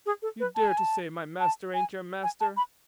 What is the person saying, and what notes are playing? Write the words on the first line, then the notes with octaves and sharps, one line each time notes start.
You dare to say my master ain't your master!
G#4
A4
B4
A5
G#5
A5
A5
G#5
G#5
A5
B5